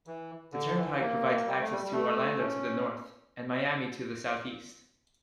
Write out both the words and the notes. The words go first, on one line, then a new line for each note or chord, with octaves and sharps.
The Turnpike provides access to Orlando to the north, and Miami to the southeast.
E3
D3
E3
A#3
G3
A3
G3
G3
A3
C#4